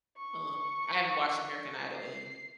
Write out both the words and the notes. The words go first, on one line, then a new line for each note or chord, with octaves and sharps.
Uh, I haven't watched American Idol in,
C#6
C7